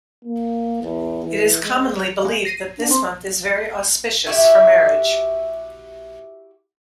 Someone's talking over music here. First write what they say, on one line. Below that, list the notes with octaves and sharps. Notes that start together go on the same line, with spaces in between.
It is commonly believed that this month is very auspicious for marriage.
A#3
E2
E3
G#3
F3 G#3
A#6 C7 D#7
D4
C4 C6
E4 F#4 G4 E5